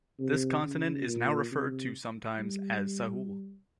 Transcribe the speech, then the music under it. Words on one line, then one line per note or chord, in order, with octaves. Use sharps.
This continent is now referred to sometimes as Sahul.
C3
C#3
A#2
C3
G3